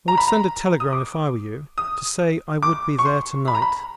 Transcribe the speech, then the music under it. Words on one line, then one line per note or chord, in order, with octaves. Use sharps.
"I would send a telegram if I were you, to say I would be there to-night."
A#5
B5
A#5
D#6
D6
D#6
D6
C#6
C6
B5
A#5
B5